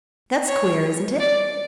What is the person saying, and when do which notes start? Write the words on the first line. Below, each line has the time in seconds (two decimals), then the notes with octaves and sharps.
That's queer, isn't it?
0.48 C#5
1.20 D5